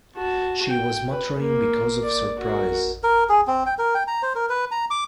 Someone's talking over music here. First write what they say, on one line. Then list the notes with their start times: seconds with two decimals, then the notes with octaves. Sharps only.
She was muttering because of surprise.
0.16 F#4 A5
0.69 G5
1.11 B4
1.40 A#3
2.03 D5
2.40 F#4 A#4
3.03 A#4
3.29 G#4
3.47 C4
3.66 G5
3.78 A#4
3.95 G5
4.07 A#5
4.23 C5
4.35 A#4
4.49 B4
4.71 A#5
4.90 D6